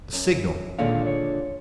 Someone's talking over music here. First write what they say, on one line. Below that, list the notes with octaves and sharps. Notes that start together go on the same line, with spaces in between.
The signal!
F#2
D#2 A#2 D3 G#3 C#5 F5
C#5